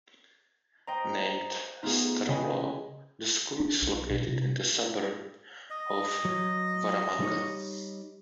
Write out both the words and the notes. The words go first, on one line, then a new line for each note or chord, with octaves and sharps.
Named Stromlo, the school is located in the suburb of Waramanga.
C5 D#5 G5 A#5
A3 B3 D#4 F4 G#4
C#3 B4 D#5 G5 G#5
D4
B1
B2
C3
D#5
F#3
G3 D#4 C#5